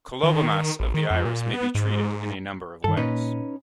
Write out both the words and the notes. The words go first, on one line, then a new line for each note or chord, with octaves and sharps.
Colobomas of the iris may be treated in a number of ways.
D#3
A1
D#3
F2
A#2
B3
G#2
G2 D#3 A4
A#2 A#3 C#4 D#4 B4